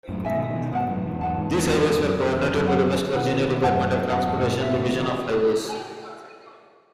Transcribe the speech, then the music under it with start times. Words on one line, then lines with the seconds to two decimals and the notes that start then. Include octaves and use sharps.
These highways were coordinated by the West Virginia Department of Transportation, Division of Highways.
0.09 F#2 A2
0.25 G#2 B2 D#4 A4 E5 G#5
0.36 B2 D#3
0.49 B2 D#3
0.55 E3
0.61 B2 D#3
0.73 G#2 B2 B4 F#5 A5
0.89 F#2 A2
1.05 E2 G#2
1.21 E2 G#2 B4 F#5 A5
1.38 E2 G#2
1.53 E2 G#2
1.70 E2 G#2 E4 G#4 B4
1.86 E2 G#2
2.03 F#2
2.19 F#2 E4 G#4 B4
2.35 E2
2.51 F#2
2.67 B4 F#5 B5
3.15 B2 D#3 B4 F#5 B5
3.31 B2 D#3
3.47 B2 D#3
3.63 F#2 A2 B4 D#5 F#5 A5
4.12 F#2 B4 D#5 F#5 A5
4.28 E2 G#2
4.39 A2
4.44 G#2 B2
4.60 G#2 B2 A4 C#5 E5
4.77 A2 C#3
4.93 C#3 E3